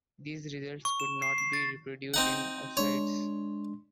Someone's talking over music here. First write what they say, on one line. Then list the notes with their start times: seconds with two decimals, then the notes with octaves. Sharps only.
These results could not be reproduced in oocytes.
0.85 C#6
1.00 E7
1.22 C7
1.38 C7
1.53 A6
2.14 C4 D#4 F#5
2.77 G#3 D4 C#5 C6